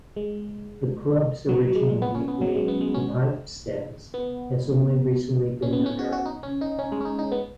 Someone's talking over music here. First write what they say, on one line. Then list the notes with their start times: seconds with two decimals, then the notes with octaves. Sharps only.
The club's original nickname, The Pipe Stems, has only recently been unearthed.
0.16 G#3
1.49 F#3
1.63 F#3
1.75 G#3
1.89 G#3
2.02 B3
2.15 C#4
2.28 B3
2.41 F#3
2.55 G#3
2.68 B3
2.81 G#3
2.94 C#4
4.14 B3
5.62 C#4
5.73 B3
5.86 C#4
5.99 F#4
6.13 F#4
6.26 D#4
6.43 C#4
6.61 D#4
6.79 C#4
6.92 G#3
7.01 C#4
7.05 D#4
7.19 D#4
7.32 B3